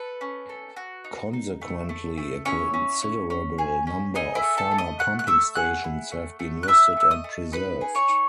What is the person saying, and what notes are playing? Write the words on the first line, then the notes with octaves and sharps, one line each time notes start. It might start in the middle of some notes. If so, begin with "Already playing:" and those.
Consequently, a considerable number of former pumping stations have been listed and preserved.
Already playing: A4 B4
C#4
A4
F#4
D#4
D#4
A3
A3
A3
C#4 E4 C#5
C#4
C#4
C#4
G#4
C#4
D#4 G#4 D#5
E4 E5
A3
A4 A5
A3
D#5 D#6
A3 F#5 F#6
F#6
A3 E5 E6
G#4 F#5 F#6
E4
A3
A3
F#6
E4 E5 E6
A3 E6
D#5 D#6
A3
D#4 B4 B5
G#4
C#5 C#6
D#4